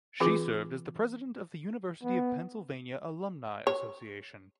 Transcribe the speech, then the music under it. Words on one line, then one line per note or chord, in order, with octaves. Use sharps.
She served as the president of the University of Pennsylvania Alumnae Association.
E3 C4 F4 G#4 B4 D6
B3
C#5